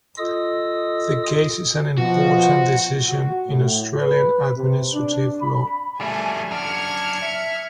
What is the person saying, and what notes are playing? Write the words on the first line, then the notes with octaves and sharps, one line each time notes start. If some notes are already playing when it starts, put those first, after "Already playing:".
The case is an important decision in Australian Administrative Law.
F4 A4 D#5 D#6 E6
B2 F3 F#4
F#4
A2
B4
C3
D4
B5
G3 A3 G#5 A5
F#2 D4 F6 G#6 C#7
E5